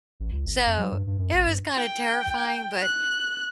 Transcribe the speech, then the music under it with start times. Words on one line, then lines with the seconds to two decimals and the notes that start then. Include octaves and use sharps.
So it was kinda terrifying, but
0.20 A1
0.31 C#2
0.46 G1
0.66 F2
0.78 F#3
0.92 G2
1.07 G2
1.18 F#2
1.33 A1
1.48 G2
1.77 G5
2.82 F#6